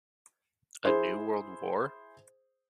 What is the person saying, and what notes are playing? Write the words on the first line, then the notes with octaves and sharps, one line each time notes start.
A New World War?
E4 G#4 C5